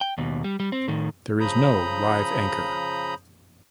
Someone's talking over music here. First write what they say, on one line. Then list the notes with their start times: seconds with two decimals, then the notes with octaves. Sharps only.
There is no live anchor.
0.01 G5
0.18 D#2 B2
0.44 G3
0.60 G3
0.72 C4
0.88 A2 D#3
1.40 C#3 F3 A#5 B5 D#6 G6